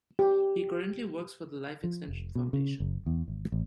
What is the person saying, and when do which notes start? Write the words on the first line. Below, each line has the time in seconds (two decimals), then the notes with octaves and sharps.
He currently works for the Life Extension Foundation.
0.19 G4
1.84 F3
2.08 F1
2.35 B2
2.53 C#3
2.80 F#1
3.06 E2
3.28 G#1
3.52 A1